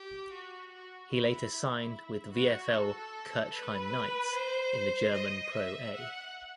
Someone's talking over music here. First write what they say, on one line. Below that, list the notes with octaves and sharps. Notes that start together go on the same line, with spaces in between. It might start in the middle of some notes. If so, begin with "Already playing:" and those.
He later signed with VfL Kirchheim Knights in the German ProA.
Already playing: G4
F#4
F#4
E4
E4
F#4
A4
B4
C5
D#5
E5
F#5